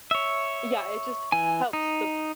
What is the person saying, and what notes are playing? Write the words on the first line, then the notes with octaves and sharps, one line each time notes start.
Yeah, it just helps the
C#5 E5
E3 G#5
D#4